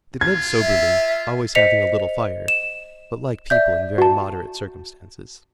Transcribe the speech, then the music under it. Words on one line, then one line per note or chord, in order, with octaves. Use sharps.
They lived soberly, always having a little fire, but like people in very moderate circumstances.
F4 G#6
E5
C5 D#5 B6 C#7 F7
E7
D5 E5 G6
F#4 A5